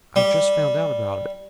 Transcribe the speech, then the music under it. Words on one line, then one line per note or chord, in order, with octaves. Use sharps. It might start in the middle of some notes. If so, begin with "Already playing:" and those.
I have just found out about it.
G3